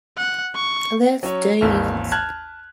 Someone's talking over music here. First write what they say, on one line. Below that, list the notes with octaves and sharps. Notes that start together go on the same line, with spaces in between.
Let's dance.
F#5
C#6
F#3 C#4 C#5
G#1 D#2 E3
A5 F6 F#6 G#6